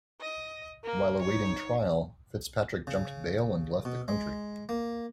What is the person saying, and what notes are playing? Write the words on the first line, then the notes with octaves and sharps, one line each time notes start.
While awaiting trial, Fitzpatrick jumped bail and left the country.
D#5
A#3
D#4 C#5
C#3
B2
G#3
A#3